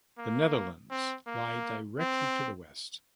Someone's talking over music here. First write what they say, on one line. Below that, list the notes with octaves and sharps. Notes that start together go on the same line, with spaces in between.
The Netherlands lie directly to the west.
A#3
C4
A#3
C4